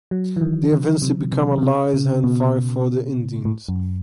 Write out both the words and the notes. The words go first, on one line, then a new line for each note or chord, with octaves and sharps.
They eventually become allies and fight for the Indians.
F#3
E3
D#3
D3
C3
C3
C#3
C3
C#3
B2
A2
F#2